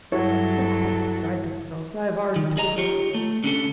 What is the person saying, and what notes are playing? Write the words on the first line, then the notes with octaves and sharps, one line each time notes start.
"They're quite beside themselves; I have already told them..."
G2 F#3 E4 F#4 A4 C#5
D#3
G#4 D#5 A#5
F4 G4 C#5
A3
D3 C#4 A4